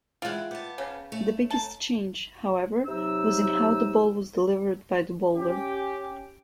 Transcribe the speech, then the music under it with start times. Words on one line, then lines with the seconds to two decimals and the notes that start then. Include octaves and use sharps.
The biggest change, however, was in how the ball was delivered by the bowler.
0.22 E3 G#3 F4 E5 F#5 G5
0.51 B3 A5 D6 G6
0.78 C#3 C#5
1.12 A3
1.50 C#5 A5 A#5
2.86 C3 F#3 D#4 E6
5.35 C#4 G4